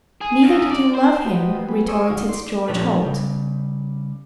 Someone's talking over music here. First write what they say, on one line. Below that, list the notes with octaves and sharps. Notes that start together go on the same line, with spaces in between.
"Neither did you love him," retorted George Holt.
G#4
E2
D5
C5
F#4 G4 B4 C5 D#5
F#3 G3 B3 G#4 B4
C5 D5 G#5 C#6 D#6 E6
D2 D#4 F#4 F5
D#4 D5 C6
A#2 F3 A3 C#4 D4 B4
C#3 G3